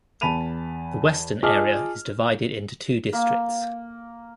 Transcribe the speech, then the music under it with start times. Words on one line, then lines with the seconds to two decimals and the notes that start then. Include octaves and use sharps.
The Western Area is divided into two districts.
0.21 E2 A5 B5 D#7 F7
1.43 F4 G#4 D#5 A5 D6 F6
3.13 A#3